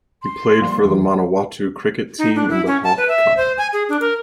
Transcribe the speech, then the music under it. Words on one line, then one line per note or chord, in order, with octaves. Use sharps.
He played for the Manawatu cricket team in the Hawke Cup.
C6
F3 G3 A#3
F2 D#3 E3
D#4
D4
E4
C#4
A5
B4
E5
C5
G#5
G#4
D4
A#4